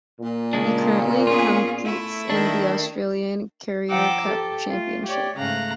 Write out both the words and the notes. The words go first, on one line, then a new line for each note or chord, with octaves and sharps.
He currently competes in the Australian Carrera Cup Championship.
A#2
C#3 G#3 D4
B3 C#4 F4 G#4
A3 E4
D#3 D4
F3 F#5 G5 A#5 D6 E6
G4 A4
A3 F4
G4 C#5 D5
G#2 C#3 A3 F5 A#5 F#6